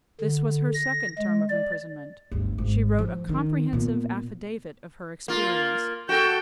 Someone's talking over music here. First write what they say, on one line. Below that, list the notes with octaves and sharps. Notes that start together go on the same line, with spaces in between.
This was her second term of imprisonment. She wrote a comprehensive affidavit of her experience.
D3
A#6
G#3
D5
G1 D2
G#1
F3
D#3
A#2 B3
A#3 F4
F#4 A4 G5